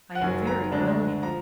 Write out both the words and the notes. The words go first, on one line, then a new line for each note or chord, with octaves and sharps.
"I am very willing."
F#5
F#1 F#2 D#3 F#3 G#5
A#5
D2 D3 G#3 D4
F3 A#5